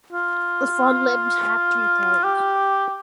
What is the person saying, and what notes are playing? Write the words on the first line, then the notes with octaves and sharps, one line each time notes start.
The front limbs had three toes.
F4
G4